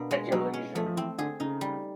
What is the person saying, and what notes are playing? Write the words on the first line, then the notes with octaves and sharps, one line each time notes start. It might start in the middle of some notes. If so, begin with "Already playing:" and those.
At your leisure.
Already playing: B2 A#3 D4
G#3
G3
B2 F#3
C#4
F3 A3
F3
E3 C4
D3 G#4
C#3 D#4
G3